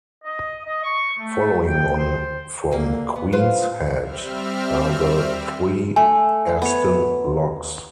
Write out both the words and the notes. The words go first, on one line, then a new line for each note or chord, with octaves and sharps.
Following on from Queen's Head are the three Aston Locks.
D#5
D#5
C#6
A3
G5
C5
D3 A#3
B3
F4 B4 C5
G3 C4 E5 F6
A3 G#5
B3 C#5